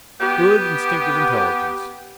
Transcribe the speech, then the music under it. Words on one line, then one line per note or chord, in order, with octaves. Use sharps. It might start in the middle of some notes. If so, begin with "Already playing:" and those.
Good instinctive intelligence.
B3 G4